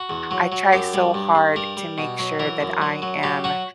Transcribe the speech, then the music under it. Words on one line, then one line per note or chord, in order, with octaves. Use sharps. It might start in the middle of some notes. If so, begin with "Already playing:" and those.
I try so hard to make sure that I am
Already playing: F#4
E2
F#3
F#3
F#2 G4
G3
G2
G2
G3 A#4
G3
B2
F#3
E3 A#4
F#2
F#3
F#3
F#3 G4
F#3 F#4